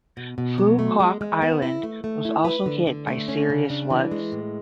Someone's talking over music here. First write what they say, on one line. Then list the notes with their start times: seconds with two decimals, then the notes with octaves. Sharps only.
Phu Quoc island was also hit by serious floods.
0.17 B2
0.38 B2
0.58 F#3
0.79 A3
1.00 G#3
1.21 G#3
1.42 B3
1.62 E4
1.83 A3
2.04 A3
2.25 E4
2.45 B4
2.66 D3
2.87 D3
3.08 A3
3.28 C#4
3.50 C#3
3.70 D4
3.90 E3
4.11 G#3
4.32 A2